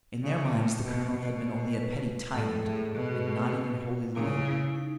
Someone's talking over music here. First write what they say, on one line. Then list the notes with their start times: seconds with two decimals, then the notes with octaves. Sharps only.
In their minds the colonel had been only a petty tyrant, and not even wholly loyal.
0.24 C#3
0.53 A2
0.84 B2
1.15 B2
1.74 B4
2.34 A2 A4
2.64 A2 G#4
2.95 B2 F#4
4.15 C#3 E4
4.45 E4
4.75 D#4